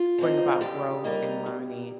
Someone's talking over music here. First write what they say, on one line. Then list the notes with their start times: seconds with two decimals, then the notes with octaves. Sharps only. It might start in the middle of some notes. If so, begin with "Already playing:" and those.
bring about growth and learning.
Already playing: F4
0.18 F3 C4 D#4
0.61 D3 G4
1.04 G3 A#3 D#4
1.46 G2